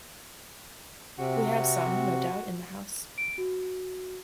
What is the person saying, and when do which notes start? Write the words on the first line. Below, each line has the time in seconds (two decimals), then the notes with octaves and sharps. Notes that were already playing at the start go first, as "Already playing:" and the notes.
We have some, no doubt, in the house.
1.19 C3 F#4
3.18 D7
3.38 F#4